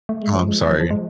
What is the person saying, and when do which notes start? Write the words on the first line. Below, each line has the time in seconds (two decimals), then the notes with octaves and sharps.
Oh, I'm sorry.
0.09 A3
0.22 G#3
0.35 F3
0.48 G#3
0.70 F3
0.81 F3
0.90 G#3